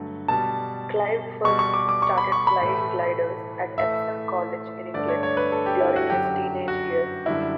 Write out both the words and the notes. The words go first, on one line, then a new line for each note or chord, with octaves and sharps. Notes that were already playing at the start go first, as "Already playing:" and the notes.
Clive first started flying gliders at Epsom College in England during his teenage years.
Already playing: G2 D3 F#3 A3
B2 G3 A5
B2 G3 C#6
C#6
D6
D6
C#6
B5
C#6
B5
A2 E3 A3
A2 E3 A3 E5
G2 D3 A3 D5
C#5
C#5
B4
A4
G4
E4
F#4
F#2 D3 F#3 G4
F#4
F#2 D3 G3 E4